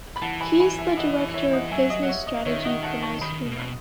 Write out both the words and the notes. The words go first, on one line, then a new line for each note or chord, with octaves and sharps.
He is the Director of Business Strategy for Mazzuma.
B5
E3 F#5 A5
G#5 B5
G#5 B5
E5 G#5
D#5 F#5
D#5
C#5
C#5 E5
D#5 F#5
F#3 E5 G#5
D#5
F#5
C#5 E5
D#5
D#3 C#5 E5
D#5 F#5
F#5 A5
A5 C#6
D#3 B5 D#6
B2